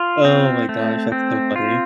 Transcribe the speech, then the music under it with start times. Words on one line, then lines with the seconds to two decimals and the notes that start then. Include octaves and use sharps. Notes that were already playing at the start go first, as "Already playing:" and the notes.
Oh my gosh, that's so funny.
Already playing: F4
0.25 C4
0.69 A3
1.12 C4
1.56 F4